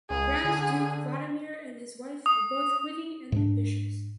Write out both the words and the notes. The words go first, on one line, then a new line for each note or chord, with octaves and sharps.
Grand Duke Vladimir and his wife were both witty and ambitious.
C#2 G#4
D3
D#6
G#2 D4